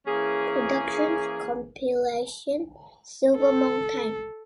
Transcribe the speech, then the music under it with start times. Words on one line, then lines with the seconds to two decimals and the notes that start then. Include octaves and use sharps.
Productions compilation "Silver Monk Time".
0.06 E3 A#3 C#4 G#4
3.37 A4